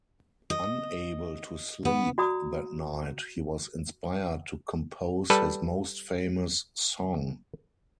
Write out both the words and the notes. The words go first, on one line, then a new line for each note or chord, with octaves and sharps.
Unable to sleep that night, he was inspired to compose his most famous song.
D#5
B3
F#4 D5 A#5 D#6
G3 A4 B4